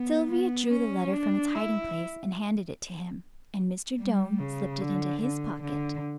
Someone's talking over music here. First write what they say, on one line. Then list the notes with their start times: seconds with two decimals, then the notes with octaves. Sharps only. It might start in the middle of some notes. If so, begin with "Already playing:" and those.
Sylvia drew the letter from its hiding-place and handed it to him, and Mr. Doane slipped it into his pocket.
Already playing: B3
0.32 B3
0.73 C#4
1.14 D4
1.55 E4
4.00 G3
4.40 C#3
4.81 D3
5.23 D3
5.63 D3